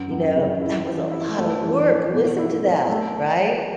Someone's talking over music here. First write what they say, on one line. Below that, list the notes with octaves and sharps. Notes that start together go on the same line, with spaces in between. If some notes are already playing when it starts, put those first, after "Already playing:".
you know, "That was a lot of work, listen to that," right?
Already playing: F#2
F#2
C#3
E4
E3
E4
A3
E3
E3
B2
E4
B3
A3